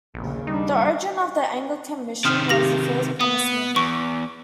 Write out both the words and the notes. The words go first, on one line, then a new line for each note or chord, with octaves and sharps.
The origin of the Anglican Mission was the First Promise Movement.
A#1 D#2 C#3
G3 D4 D#4
C3 D#3 C6 D#6 F6
G4 A#6 F#7
B3 D#6
E2 C#6